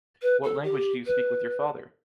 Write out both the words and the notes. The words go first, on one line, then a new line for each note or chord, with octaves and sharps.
What language do you speak with your father?
B4
A4
G4
B4